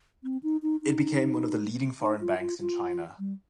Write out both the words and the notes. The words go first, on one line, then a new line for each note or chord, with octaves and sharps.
It became one of the leading foreign banks in China.
C4
D#4
D#4
D#4
D#4
F4
F4
F4
G3